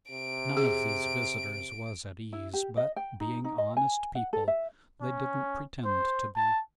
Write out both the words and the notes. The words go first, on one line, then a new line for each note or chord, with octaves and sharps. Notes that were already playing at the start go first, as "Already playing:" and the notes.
None of these visitors was at ease, but, being honest people, they didn't pretend to be.
C3 D7
G#4
E4
G4
D#5
G5
D#4
D#4
D#5
G#5
F#5
A4
E5
C#4
C5
A5